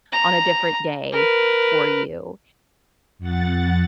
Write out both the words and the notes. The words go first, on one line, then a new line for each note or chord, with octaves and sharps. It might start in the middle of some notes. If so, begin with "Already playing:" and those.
on a different day for you."
A#5
A#4 B4
F2 F#5 A6